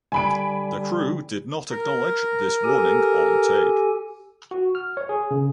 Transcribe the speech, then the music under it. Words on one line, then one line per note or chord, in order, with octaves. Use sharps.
The crew did not acknowledge this warning on tape.
D3 G3 G#5 B5 D7
A#4
G4 A4 G#5
F#4
F6
C#5
G#4
C#3